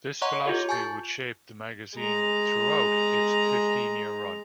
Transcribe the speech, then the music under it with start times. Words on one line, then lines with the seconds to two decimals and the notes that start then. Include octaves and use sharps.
This philosophy would shape the magazine throughout its fifteen-year run.
0.22 C#5 D#5 F#5 A#5 C6 C#6
0.46 F4 G4 A4
0.69 G#5 A5 C#6 G6 A6
1.96 G#3 A#5